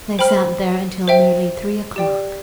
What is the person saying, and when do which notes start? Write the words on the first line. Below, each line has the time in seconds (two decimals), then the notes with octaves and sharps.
They sat there until nearly three o'clock.
0.19 C5 G5 B5 F6
1.08 C5 E5 G5
1.96 G4 D5 G5